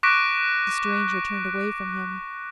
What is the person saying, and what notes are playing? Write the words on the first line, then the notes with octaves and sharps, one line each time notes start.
The stranger turned away from him.
C#6 D6 F#6 A#6 B6 D7